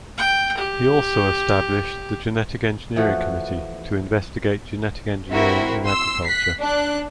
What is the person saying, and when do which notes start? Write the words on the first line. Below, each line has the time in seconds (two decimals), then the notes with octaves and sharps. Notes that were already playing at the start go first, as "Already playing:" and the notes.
He also established the Genetic Engineering Committee to investigate Genetic Engineering in Agriculture.
0.17 G5
0.57 G4
2.96 E3 F3 A3 F#4
5.32 C4 E4 F#4 A#4
5.83 C6 E6
6.24 F#6 B6 C7
6.58 D4 F#6